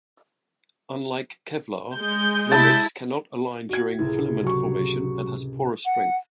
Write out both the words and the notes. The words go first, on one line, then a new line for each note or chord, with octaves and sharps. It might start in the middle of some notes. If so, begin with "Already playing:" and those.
Unlike Kevlar, Nomex cannot align during filament formation and has poorer strength.
G#3 G6
C3 E4 A5
F#4 G#6
C#2 A2 C3 E4
F#3 C#6
F#5